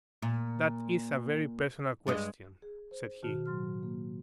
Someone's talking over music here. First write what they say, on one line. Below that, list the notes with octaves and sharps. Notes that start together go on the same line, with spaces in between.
"That is a very personal question," said he.
A#2
G2 G#3 D#5
G#4
C5
B2 D#3 F#4 A5 F6
A2 F#3 C6 F6
A#3